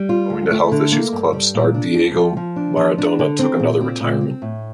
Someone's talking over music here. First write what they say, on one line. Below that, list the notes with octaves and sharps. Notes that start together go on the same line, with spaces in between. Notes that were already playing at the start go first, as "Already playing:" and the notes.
Owing to health issues club star Diego Maradona took another retirement.
Already playing: G3
F4
D2
A3
D3
A#3
G2
G3
A#2
D4
F2
F3
F3
D4
F3
D4
D3
C4
A#2
C4
A#2
C4
A2